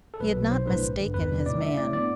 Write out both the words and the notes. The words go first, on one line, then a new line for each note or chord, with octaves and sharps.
He had not mistaken his man.
A4
B1 B4
B2 F#3
B1 C5
A2 G3 D4 B4
A1
G2 D3
E2 B4
C3 G3 D4
A2 D5
G3 D4 E5
A2 D5
G3 B3 D4 D5